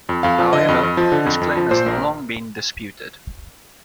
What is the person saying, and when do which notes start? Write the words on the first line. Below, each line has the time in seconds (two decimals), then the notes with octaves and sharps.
However, this claim has long been disputed.
0.09 F2
0.23 F2 F5
0.39 F3
0.53 D3 D#5
0.68 F2
0.83 F2
0.97 F3
1.12 D3
1.26 F2
1.41 F2
1.57 F3
1.71 A#2 C5
1.86 A#1 A#4